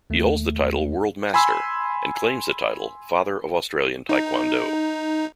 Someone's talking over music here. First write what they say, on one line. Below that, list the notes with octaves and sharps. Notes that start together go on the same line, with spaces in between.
He holds the title 'World Master' and claims the title 'Father of Australian Taekwondo.
D#2 A3
G#5 B5 C6 E6
D#4